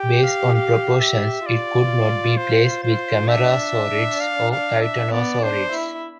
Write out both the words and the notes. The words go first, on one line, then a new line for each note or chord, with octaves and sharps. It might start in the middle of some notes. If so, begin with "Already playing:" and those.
Based on proportions, it could not be placed with camarasaurids or titanosaurids.
Already playing: G4 G5
F5
F5
E5
F4 D5
C5
C5
D4 E5
F5
F5
E5
B3 D5
D4 C5
E4